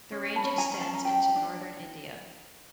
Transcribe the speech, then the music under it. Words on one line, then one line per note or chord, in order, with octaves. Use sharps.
The range extends into northern India.
C#4
A5 B5
C#4
G#5 A#5
C#4
A5
A#5
G4 G5 A5
D4